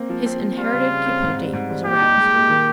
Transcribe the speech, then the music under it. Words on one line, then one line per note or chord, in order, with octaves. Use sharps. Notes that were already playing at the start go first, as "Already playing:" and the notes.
His inherited cupidity was aroused.
Already playing: A#3 C4
F3
C4
C4
G3 F4
C#3
C#3
C4
G#2
G3
G#2
G3
A#2 G4
D#4
G#3
A#2
D#3